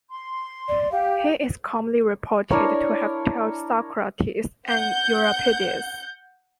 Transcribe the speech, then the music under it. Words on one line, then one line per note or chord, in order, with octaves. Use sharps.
He is commonly reported to have taught Socrates and Euripides.
C6
D5
G4 F5
D4 E4 A#4 C#5
F#5 G6